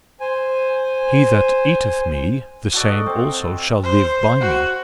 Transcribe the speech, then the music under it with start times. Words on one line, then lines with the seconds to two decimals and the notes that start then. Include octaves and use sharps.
He that eateth Me the same also shall live by Me.
0.20 C5 G#5
2.74 F#4 A4 D5 D#5
3.06 C4
3.83 C5
4.41 F#4